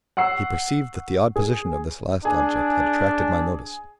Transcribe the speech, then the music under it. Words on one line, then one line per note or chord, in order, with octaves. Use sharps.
He perceived that the odd position of this last object had attracted my notice.
F#5 C#6 E6 C7
G#4
D4 G#4